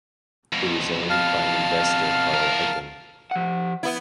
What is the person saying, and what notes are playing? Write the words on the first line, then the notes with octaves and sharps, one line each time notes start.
It is owned by investor Carl Icahn.
F2 B2
F5 A5 F6
E2 A#4
F3 F#5
B3 E4